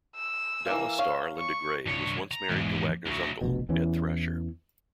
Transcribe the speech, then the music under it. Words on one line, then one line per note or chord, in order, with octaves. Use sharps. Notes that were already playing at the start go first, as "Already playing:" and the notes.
"Dallas" star Linda Gray was once married to Wagner's uncle, Ed Thrasher.
E6
E3 A#3 F5
C#5 F5
C#6
G2 C#5
A#5
E2 G#2
D2 F#3
F1 A#1 B2
E2 E3 C#4